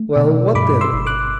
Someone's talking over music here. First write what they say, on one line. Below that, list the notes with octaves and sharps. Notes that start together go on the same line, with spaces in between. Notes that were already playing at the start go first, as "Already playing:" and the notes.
"Well, what then?"
Already playing: A3
B2
G2 B5 D6
C6 E6
G1
D6 F#6